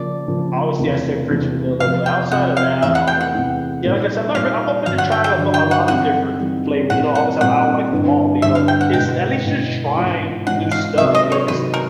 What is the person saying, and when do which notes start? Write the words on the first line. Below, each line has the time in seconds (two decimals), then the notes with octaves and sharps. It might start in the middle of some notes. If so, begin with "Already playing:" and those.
obviously I said French vanilla, but outside of that, um, yeah, like I said, my r I'm open to trying a b lot of different f flavors, you know, obviously, I don't like them all, but, you know, it's at least just trying new stuff, you know, 'cause
Already playing: C#3 F3 A#3 D5
0.27 C#3 F3 A#3
0.78 E2 C3 E3 A3
1.29 E2 C3 E3 A3
1.80 F2 C3 F3 F5
2.06 G5
2.31 F2 C3 F3 F#5
2.57 F5
2.82 E2 C3 E3 A3 E5
2.95 F#5
3.07 G5
3.21 F#5
3.33 E2 C3 E3 A3
3.84 A#2 G3 A#3 D#4
4.35 A#2 G3 A#3 D#4 F5
4.86 G2 D3 F#3 F5
4.98 F#5
5.12 G5
5.24 G5
5.37 G2 D3 F#3
5.54 G5
5.71 F#5
5.88 E3 G3 C4 D#4 F#5
6.39 E3 G3 C4 D#4
6.90 A#2 G3 C4 E4 F#5
7.15 F#5
7.41 A#2 G3 C4 E4 F#5
7.91 G2 D3 G3 B3 E4
8.42 G2 D3 G3 B3 E4 E5
8.55 F5
8.68 G5
8.81 F#5
8.93 B2 G#3 B3 E4 G5
9.44 B2 G#3 B3 E4
9.95 G#2 E3 G#3 C#4 F4
10.46 G#2 E3 G#3 C#4 F4 F#5
10.71 F5
10.98 C3 D#3 F#3 B3 E5
11.15 D#5
11.32 C#5
11.48 C3 D#3 F#3 B3 B4
11.74 A#4